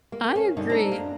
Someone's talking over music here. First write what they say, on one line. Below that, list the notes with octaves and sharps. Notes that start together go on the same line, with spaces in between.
I agree.
A#3
C#4
G2 B2 D3 D#4
D3 G#3 C4 D4 A#5
F#2 A#3